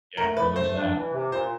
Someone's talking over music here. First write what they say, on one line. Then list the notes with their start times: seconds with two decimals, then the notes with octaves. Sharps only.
Yeah, well, there's that.
0.17 A3 A#4
0.36 A3 B4
0.55 A3 C5
0.75 D4
0.94 E3
1.13 C3
1.32 A#2 C5